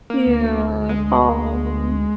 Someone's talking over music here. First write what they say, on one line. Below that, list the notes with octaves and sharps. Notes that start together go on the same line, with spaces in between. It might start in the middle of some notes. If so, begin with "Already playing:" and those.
Yeah, oh.
A#3
D2
G#3